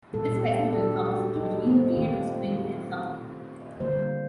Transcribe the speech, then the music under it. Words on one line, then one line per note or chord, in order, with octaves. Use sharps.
This festival comes to between the period of spring and summer.
A#2 G3 A#3 A4
G4
D4
A4
G4
G4
D#4
C4
F4
D#3 A3 G4
D3 G3 A#3 C5